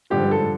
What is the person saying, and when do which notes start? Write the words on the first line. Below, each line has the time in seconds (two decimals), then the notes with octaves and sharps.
Oh, yeah.
0.10 G2 D3 F3 G4
0.31 A4